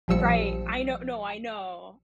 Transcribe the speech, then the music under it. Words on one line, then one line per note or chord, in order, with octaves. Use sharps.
Right. I know No, I know.
A#1 F3 G3 E6 C#7